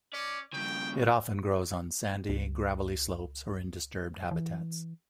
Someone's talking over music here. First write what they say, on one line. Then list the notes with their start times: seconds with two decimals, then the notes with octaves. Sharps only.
It often grows on sandy, gravelly slopes or in disturbed habitats.
0.13 C#4 D5
0.53 G2 C#3 G5
2.29 C#2
4.31 E3